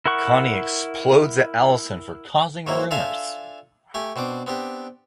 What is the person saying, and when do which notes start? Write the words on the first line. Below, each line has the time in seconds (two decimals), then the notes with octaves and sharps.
Connie explodes at Allison for causing rumors.
0.06 E4 A#4 F#5 C#6
2.67 G#2 F3 F#3 A#3 E4
2.91 D4 F4 A4 E5 F5 G#5
3.94 A3 G4 G#5
4.16 B2 C4 D4 D6
4.47 B3 C4 D4 G4